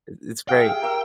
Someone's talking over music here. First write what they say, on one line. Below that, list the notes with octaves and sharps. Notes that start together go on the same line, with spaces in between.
it it's great.
G#4 E5 F5 G5
G4
A#4 E5 E6